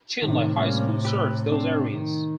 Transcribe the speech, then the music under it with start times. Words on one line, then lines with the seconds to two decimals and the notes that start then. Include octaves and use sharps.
Chinle High School serves those areas.
0.22 A2 C3 D#3
0.57 G3 A#3 C#4
1.05 G4 B4 E6
1.52 C4 D4
1.94 D#3